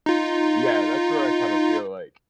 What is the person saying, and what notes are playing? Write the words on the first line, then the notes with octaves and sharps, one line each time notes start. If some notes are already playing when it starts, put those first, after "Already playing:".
yeah, that's where I kinda feel like,
D#4 F4